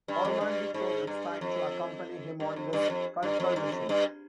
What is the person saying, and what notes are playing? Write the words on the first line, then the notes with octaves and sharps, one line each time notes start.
Ormandy chose Epstein to accompany him on this cultural mission.
G2
F2
G2
G#2
G2
F2
G2
F2
G2
F2
G2
F2
G2
F2
G2